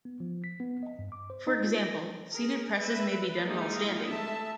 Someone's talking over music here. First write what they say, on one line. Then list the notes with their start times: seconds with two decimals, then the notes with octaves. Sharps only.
For example, seated presses may be done while standing.
0.05 B3
0.20 F3
0.44 B6
0.60 B3
0.83 D#5
0.99 G2
1.12 D6
1.30 C5
1.47 D#4
1.64 F4
1.83 A#6
2.32 G#4 A#4
2.76 B4 E5
3.44 G3 G#3 A#3 D#4 E4 F5
4.08 G#3 A3 E5 A5